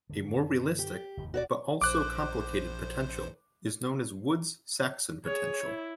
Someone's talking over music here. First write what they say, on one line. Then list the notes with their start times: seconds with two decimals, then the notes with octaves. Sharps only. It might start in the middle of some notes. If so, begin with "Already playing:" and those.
A more realistic but also complicated potential is known as Woods-Saxon potential.
0.10 F#2 D3
0.79 G4
1.17 F1 D#2 G#2
1.34 D1 F#4 C#5 D5
1.81 A#1 C5 D6 F#6
5.24 G#4 C#5
5.64 E4